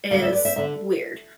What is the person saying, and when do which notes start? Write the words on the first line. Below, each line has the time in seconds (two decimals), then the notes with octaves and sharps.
is weird,
0.10 D2 D3 G3 D5 F5
0.22 C5 E5
0.33 B4 D5
0.45 C5 E5
0.56 D3 C5 E5